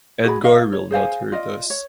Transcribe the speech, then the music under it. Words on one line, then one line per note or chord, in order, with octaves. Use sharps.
Edgar will not hurt us.
F#4 G#4 F5 B5
A#4 D#5 F5
C#5
G#4 C5 F5 G#5
F4 D5 D#5
C#5